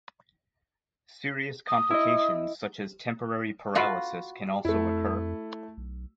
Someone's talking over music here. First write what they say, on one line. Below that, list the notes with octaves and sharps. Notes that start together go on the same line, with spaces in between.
Serious complications such as temporary paralysis can also occur.
D#6
E4 D#5
F4 F#4 B4
F2 A3 E4
B1